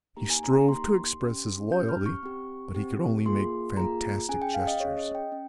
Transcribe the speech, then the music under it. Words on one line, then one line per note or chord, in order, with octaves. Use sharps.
He strove to express his loyalty, but he could only make fantastic gestures.
A#3 D#4 G4 A#5
G#5
A#5
A#5
A#3 D#4 G4 C6
C#4 G4
C#4 G4 G6
F6
C#6
C4 G4
C4 G4
A#3 F4 G#4 C6
A#3 F4 G#4 A#5
C#4 G#4 G#5
G5
F5
D#5
C#4 G#4 C#5
D#5
G5
C#4